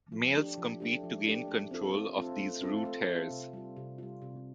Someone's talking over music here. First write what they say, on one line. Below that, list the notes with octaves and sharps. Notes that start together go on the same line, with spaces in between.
Males compete to gain control of these root hairs.
F3
A3 D4 G4
F3
A3 D4 G4
F3
A3 D4 G4
A3
C4 F4 A4
A3
C4 F4 A4
A3
C4 F4 A4
A3
C4 F4 A4
C3
G3 F4
C3
G3 F4
C3